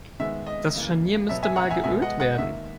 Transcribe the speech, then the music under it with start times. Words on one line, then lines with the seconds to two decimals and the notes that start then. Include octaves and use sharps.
Das Scharnier müsste mal geölt werden.
0.20 D#3 G#3 B3 E5
0.46 D#5
0.75 C#3 E3 A#3
1.29 B2 F#3 B3 E5
1.43 E5 G#5
1.56 F#5 A#5
1.70 E5 G#5
1.84 B2 G#3 B3 E5 G#5
2.02 D#5 F#5
2.20 D#5 F#5
2.38 D#3 A#3 E5